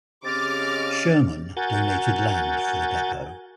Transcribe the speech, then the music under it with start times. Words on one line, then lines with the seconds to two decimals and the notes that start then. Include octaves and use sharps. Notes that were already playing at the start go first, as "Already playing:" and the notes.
Sherman donated land for the depot.
0.24 C#3 C4 G4 D#5 D6 F6 A6
1.57 F#4 A#4 F#5 G#5 G6 A6